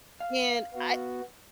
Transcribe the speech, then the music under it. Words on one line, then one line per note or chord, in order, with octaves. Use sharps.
and I
F5
B3 F#4